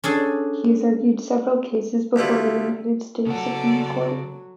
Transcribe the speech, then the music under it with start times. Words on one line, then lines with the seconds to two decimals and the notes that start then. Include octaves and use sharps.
He has argued several cases before the United States Supreme Court.
0.04 C#4 D4 G#4 A4
2.16 D2 G3 E4 F4
3.26 C#3 F#3 A4 D5 F#5